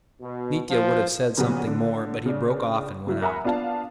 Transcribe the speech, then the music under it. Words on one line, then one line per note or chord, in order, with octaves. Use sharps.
Mitya would have said something more, but he broke off and went out.
B2
F3
A#2 C#3 F3 F#3 B3 F#4
D3
C#3 D4
C#3 F#3 E4
A#4 E5 F#5 G#5 A#5 B5
B3 D4 F4 F5 A5